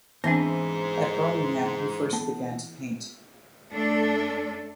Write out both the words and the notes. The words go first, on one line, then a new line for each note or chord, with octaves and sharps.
At Birmingham he first began to paint.
G#2 E3 B3 C4 D4 C5 E5 G#5
B3 A5
F#2 A3 D4 A4